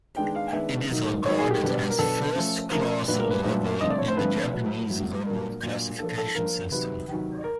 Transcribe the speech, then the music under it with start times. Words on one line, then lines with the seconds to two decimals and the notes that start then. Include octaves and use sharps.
It is regarded as a "first class river" in the Japanese river classification system.
0.17 D#3 G#3 B3 D4 G5
0.35 F5
0.53 D#3 G#3 B3 D4 E5
0.89 D#3 F#3 A#3 D#4
1.25 D#3 F#3 A#3 D#4 C#5
1.39 G#4
1.51 G4
1.62 B2 F#3 B3 D4
1.90 A#4
1.98 B2 F#3 B3 D4 A4
2.35 F3 A3 C#4
2.71 F3 A3 C#4 A#4
3.08 A#2 F#3 A3 D4 B4
3.19 A#4
3.30 B4
3.44 A#2 F#3 A3 D4
3.81 D3 F3 A3 C4 D#5
3.90 D5
3.98 C#5
4.08 C5
4.17 D3 F3 A3 C4 B4
4.53 A2 F#3 A3
4.89 A2 F#3 A3
5.26 A#2 F#3 A#3 D4 A#4
5.63 A#2 F#3 A#3 D4
5.99 F3 A#3 D4 A4
6.18 A4
6.35 F3 A#3 D4 A#4
6.71 C3 D#3 F#3 B4
7.08 C3 D#3 F#3
7.44 A#4